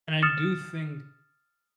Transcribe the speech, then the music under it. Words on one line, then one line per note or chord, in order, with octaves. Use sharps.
And I do think
D#6 F6 A6 C#7 E7